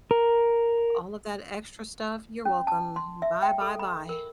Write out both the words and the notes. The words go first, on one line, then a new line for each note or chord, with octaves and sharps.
All of that extra stuff? You're welcome. Bye, bye, bye.
A#4
C#4
A5
C6
E5
G5
A4
B5
A#4